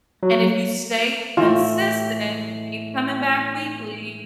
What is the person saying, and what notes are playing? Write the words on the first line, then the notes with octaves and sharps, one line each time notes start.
and if you stay consistent and keep coming back weekly,
F#3
A2 E3 F4